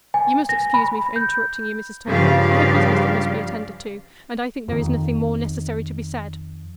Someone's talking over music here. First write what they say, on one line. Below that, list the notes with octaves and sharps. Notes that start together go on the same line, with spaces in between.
"You must excuse me for interrupting you, Mrs. Tulliver; I have business that must be attended to; and I think there is nothing more necessary to be said."
G#5
A#6
B5
G6
G2 C#3 F3 G4 D5 F5
F2 D#3